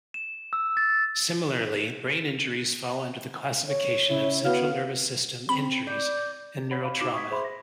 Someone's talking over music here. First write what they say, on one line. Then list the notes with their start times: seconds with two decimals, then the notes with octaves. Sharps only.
Similarly, brain injuries fall under the classification of central nervous system injuries and neurotrauma.
0.14 E7
0.53 E6
0.77 A6
3.67 C#5
4.10 C#3 E4
4.45 B3 F#4 F5
5.49 C4 B5
5.87 D5 G6
6.71 C#5 F#5 B5
6.83 F5 B5
7.01 D#4 F#4 D6 C7 D7 E7
7.14 C#6 D#6 G#6 B6
7.30 G#4 C5 E5 B5 C6 D6
7.44 A#6